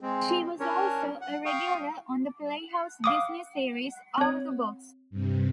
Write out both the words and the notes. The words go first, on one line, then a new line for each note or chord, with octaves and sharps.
She was also a regular on the Playhouse Disney series "Out of the Box".
G#3 C4
C#4 D4 A#4 C#5
F#5
F5 G5 C#6 D#6
F5 D6 D#6
C4 C#5
G2 C3